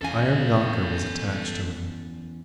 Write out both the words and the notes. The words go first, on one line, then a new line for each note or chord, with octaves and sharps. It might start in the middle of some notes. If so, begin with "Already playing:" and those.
An iron knocker was attached to it.
E2 C#4 A4 F5 G#5